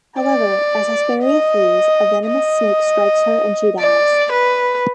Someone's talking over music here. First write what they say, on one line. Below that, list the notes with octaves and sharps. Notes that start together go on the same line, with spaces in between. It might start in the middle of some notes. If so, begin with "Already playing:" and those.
However, as Hesperia flees a venomous snake strikes her and she dies.
D5
D#5
D#5
D5
B4